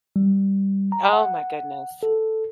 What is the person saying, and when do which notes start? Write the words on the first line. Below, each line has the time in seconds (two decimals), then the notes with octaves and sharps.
Oh, my goodness.
0.16 G3
0.92 A#5
1.13 F#5
2.03 A4